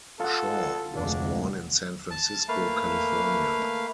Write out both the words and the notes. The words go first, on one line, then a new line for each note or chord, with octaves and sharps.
Shaw was born in San Francisco, California.
F4 A4 F#5
F1 D2 G#3 D4
A5
A3 A#3 B4 F5